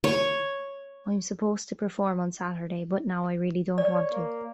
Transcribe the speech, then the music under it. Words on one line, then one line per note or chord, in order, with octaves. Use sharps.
I'm supposed to perform on Saturday, but now I really don't want to.
C#5
C#5 D5
A#3